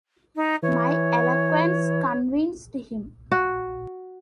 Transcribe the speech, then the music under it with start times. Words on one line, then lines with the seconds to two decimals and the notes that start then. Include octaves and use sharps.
My eloquence convinced him.
0.36 D#4
0.62 E3 C#5
3.32 F#4